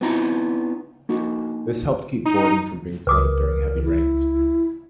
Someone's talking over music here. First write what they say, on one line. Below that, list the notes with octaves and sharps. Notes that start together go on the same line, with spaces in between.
This helped keep Borden from being flooded during heavy rains.
B3 C4 D#4 E4 A#5
A#3 D#4 F#4
D#4
C#2 A#4 B4 D6 D#6
E4